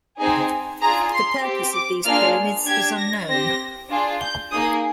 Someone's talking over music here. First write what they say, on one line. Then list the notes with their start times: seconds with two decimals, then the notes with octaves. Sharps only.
The purpose of these pyramids is unknown.
0.20 C4 D#4 G#4 G#5
0.81 D4 F4 G#4 A#5
1.12 C6
1.43 C4 G4
1.74 D6
2.05 A#3 D4 F4 G#4 F6
2.67 D4 G4 G#6
2.98 A#6
3.28 C4 G4 A#6
3.90 D4 F4 G#4
4.21 G6
4.52 A#3 D#4 G#4 D#6